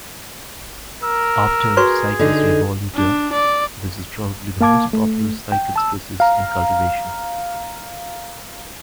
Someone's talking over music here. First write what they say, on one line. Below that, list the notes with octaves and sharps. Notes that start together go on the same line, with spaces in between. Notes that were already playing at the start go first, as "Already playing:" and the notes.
After "Cycas revoluta", this is probably the most popular cycad species in cultivation.
A#4 E6
F#4 G#4 B4 C#6
D3 D#4
D4
D5
A#3 F5 A5 D6 G#6
A3
G5
A5 E6
F5 A#5